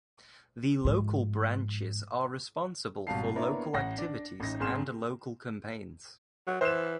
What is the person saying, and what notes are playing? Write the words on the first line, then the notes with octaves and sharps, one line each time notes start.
The local branches are responsible for local activities and local campaigns.
G#2 F3
G#1 B2 G3 F5 A5 C7
A#3 B3 D4 E4 A#4 C#5
A1 F#5 A#6
D4
A1 D#4 A#6
G#1 C4 G#4 C6 F6 E7
F#3
E3 C5 E7